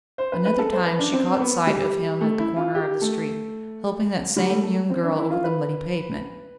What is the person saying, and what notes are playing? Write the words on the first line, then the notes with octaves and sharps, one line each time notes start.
Another time she caught sight of him at the corner of the street, helping that same young girl over the muddy pavement.
C5
B4
B4
A4
C5
B4
D4
C4
B3
G3
A3
E4
F4
G4
A3
G3
A3
A3
C4
D4
E4
F4
B4